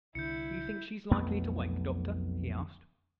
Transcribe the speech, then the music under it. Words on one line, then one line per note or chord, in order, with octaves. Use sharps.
"Do you think she is likely to wake, Doctor?" he asked.
C2 D3 E4 G6 C#7
B1 F2 A3 B3